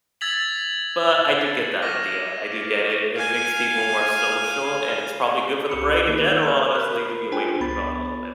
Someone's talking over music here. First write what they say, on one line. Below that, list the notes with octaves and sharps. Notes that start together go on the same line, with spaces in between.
but I do get the idea, I do get it, it makes people more social and it's probably good for the brain in general, honestly, to be away from your phone a little bit.
E6 G#6 A6 B6 F7 F#7
C#6 D6 F6 A#6 D#7
F5 G#5
C2 G4 B5 D#6 C#7
D#3 A#3 D#4
A#5 C#6 F6
A#4 B5 F6 F#6
D4 F4 C5 G5 G#5
C#2 B3 B5 A6